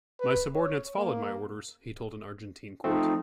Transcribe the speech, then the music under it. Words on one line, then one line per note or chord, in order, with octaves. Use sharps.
My subordinates followed my orders, he told an Argentine court.
B4
C#5
A#3
F3 A3 C4 D#4